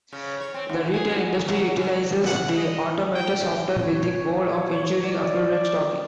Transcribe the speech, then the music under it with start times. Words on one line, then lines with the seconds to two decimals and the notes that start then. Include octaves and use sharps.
The retail industry utilizes the automated software with the goal of ensuring accurate stocking.
0.12 C#3
0.40 C#5
0.54 C4
0.69 D#2
0.94 G#4
1.11 G#2
1.46 F#3
1.76 C3
2.26 F#5
2.56 D#5
3.15 G5
3.76 A#2 C4 C#5
5.05 D5